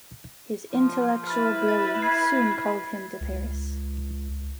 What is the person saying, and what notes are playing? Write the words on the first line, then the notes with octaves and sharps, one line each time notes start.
His intellectual brilliance soon called him to Paris.
F3
E4 B4 F6 A6
A6
G#6 C7
C#2